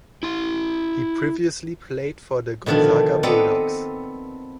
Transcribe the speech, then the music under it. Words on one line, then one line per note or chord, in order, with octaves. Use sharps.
He previously played for the Gonzaga Bulldogs.
E4 C6
B2 D3 D#3 F3 D4
B3 C4 A4 D5 D#5 A#5